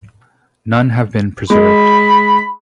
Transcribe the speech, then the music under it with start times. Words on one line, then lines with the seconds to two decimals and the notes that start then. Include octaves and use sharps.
None have been preserved.
1.50 G#3 B5